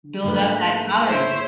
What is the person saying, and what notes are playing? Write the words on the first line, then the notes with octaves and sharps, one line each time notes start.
Build up that tolerance.
G#2 D3 A3 A#3 F4 B4
E4 C5 C#5